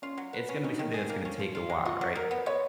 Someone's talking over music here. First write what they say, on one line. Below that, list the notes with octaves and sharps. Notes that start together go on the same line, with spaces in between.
it's gonna be something that's gonna take a while, right?
C#4 F4
F#3
B4
C#4
C#4 D#4
D#3
G#4
A#3
C#4
F3
F4
G#3
F4 F#4
F#3
F#3 A#4
B3
B3 C#5